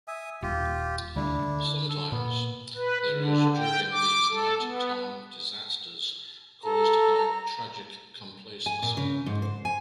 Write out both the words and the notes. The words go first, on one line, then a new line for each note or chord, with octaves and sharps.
Sometimes, there is during these night-time disasters caused by tragic complacency.
E5 G#5 D#6
D#1 F4 G4
D2 D3 G3 D4 E4
D3
A4
A#2 B3
B4
D3
G5
D6
A4
B3
A4 A#5
G#5
A#2
C#3
G#2
C5
G#5